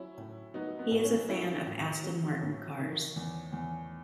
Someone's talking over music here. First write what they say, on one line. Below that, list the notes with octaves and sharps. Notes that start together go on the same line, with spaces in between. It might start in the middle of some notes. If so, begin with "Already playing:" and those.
He is a fan of Aston Martin cars.
Already playing: F#3 C#4 E4
A2
F#3 B3 D#4
B3
A2
C#4
F#3 C#4 E4
A2
F#3
A2
D#3
E2
E2